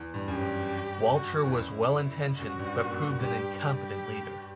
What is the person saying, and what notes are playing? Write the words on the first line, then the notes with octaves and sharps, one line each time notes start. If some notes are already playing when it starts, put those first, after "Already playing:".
Walcher was well-intentioned but proved an incompetent leader.
Already playing: E2
G2
F#2
G4
G2
F#4
E2
F#2 E4
F#2 F#4
G2
A#2
G2 G4
G4